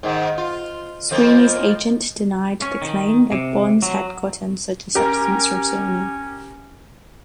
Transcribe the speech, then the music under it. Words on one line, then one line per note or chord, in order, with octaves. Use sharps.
Sweeney's agent denied the claim that Bonds had gotten such a substance from Sweeney.
G#2 D#3
F4
F2 F3 A#3
C#4
D#3
C3
F#3
C#4 G4 A#4